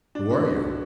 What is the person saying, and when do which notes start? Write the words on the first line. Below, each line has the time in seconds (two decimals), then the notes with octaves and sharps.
"Who are you?"
0.15 D4
0.31 F#4